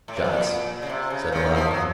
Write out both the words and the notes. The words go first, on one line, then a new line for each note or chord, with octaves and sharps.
"Shucks!" said the loud one.
A2
C3
A#2
C#3
C3
C#3
D#3
F3
F#3